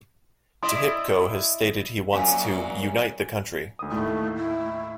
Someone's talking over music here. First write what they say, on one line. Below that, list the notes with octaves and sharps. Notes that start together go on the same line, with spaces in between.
Tihipko has stated he wants to "unite the country".
E4 D5 D#5 C6 D#6
F#2 A#2 F#3 F5 G#5
D2 D#6
D#2 A2 A3
E4